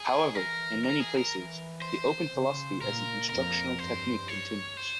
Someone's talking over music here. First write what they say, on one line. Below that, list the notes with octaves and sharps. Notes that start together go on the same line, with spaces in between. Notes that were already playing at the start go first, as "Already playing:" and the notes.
However, in many places, the open philosophy as an instructional technique continues.
Already playing: G#4
E3 A#4
A#4
G#4
A#4
E3
C5
C#3
A#2 A#4
F2 A#4
G2 C5
C#5
C5